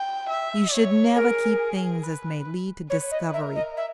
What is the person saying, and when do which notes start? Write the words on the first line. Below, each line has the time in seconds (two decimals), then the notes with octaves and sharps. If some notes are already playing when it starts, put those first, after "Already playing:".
You should never keep things as may lead to discovery.
Already playing: G5
0.29 E5
0.73 C#5
1.16 G#4 A#4
2.03 B4
2.90 B4 C#5
3.11 D#5
3.33 A#4 E5
3.55 D#5
3.77 E5